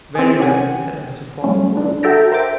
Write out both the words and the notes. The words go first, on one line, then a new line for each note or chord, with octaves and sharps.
"Very well," said Mr. Fogg, coldly.
C4 G#4
C3 E3 C#4 G4 F#5 G#5
F#3 G3 A3 C#4
D4
F#4 A4 E5 G5 A5 A#5
A#4 C5 E5 G5 D6